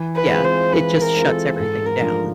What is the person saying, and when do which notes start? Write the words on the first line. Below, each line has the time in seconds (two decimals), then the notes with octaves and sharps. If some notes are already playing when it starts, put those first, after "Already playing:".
yeah. It just shuts everything down.
Already playing: E3
0.16 B4
0.30 G#3 C4 F4
0.44 C5
0.73 E3 B4
1.01 A#4
1.15 G#3 C4 F4
1.29 A4
1.57 G#2 A4
1.86 A#4
2.00 F3 A3 D4 F4